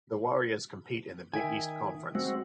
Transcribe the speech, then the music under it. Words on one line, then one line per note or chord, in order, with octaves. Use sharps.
The Warriors compete in the Big East Conference.
D#3 E5 G5 G#5
G#3 C4 F#4